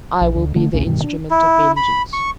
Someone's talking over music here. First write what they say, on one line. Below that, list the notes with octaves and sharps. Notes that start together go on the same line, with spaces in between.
"I will be the instrument of vengeance."
A#1
D2
D3 A3
A1 D2 C3 C#4
G2 B2 D#3
D4
E4
B5
C#6